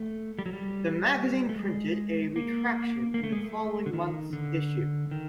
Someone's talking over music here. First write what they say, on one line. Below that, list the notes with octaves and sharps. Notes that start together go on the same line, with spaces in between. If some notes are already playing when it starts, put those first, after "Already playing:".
The magazine printed a retraction in the following month's issue.
Already playing: A3
G3
F#3
G3
A3
G#3
A#3
A#3
A3
G#3
A3
D3
D#3
D3
D#3